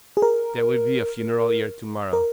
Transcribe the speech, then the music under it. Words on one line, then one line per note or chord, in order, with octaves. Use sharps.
"There will be a funeral here to-morrow."
G#4
A#4
A#4